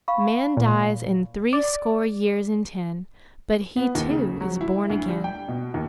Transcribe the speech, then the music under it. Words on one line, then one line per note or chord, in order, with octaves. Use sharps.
Man dies in three score years and ten; but he, too, is born again.
F5 B5 C#6
A#2
D5
B3
D#2
C#3
F#3
E4
D2
G3
G5
B2
D#2